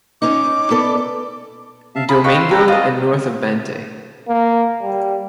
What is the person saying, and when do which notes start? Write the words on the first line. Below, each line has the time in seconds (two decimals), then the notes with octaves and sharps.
Domingo and north of Bantay.
0.22 C#4 D#4 D6
0.70 B3 A4 D5
1.95 E5 F5 A5
2.09 F4 G#4 B5
2.24 B4 D#5 F5 G5 B5 C#6
2.38 C6 E6
2.51 A4 B4 G5 A#5
2.68 F4 F#4 G#4 D#5
4.28 A#3
4.82 G3